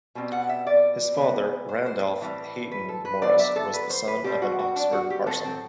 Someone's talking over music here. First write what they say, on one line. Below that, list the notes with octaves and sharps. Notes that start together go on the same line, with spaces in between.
His father Randolph Hayton Morris was the son of an Oxford parson.
B2 G3 C4
F#5
E5
D5
C3 E3 B3
C5
C5
A2 E3 G3 C4
B4
A4
B4
D3 F#3 B3 D5
E5
A4
B4
C5
B4
B2 G3 C4 G4
F#4
F#4
D4
F#4
G4
A2 F#3 A3 C4 A4
C4